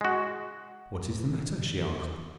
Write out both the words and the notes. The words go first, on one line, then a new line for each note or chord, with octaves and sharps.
'What is the matter?' she asked.
G#3 F#4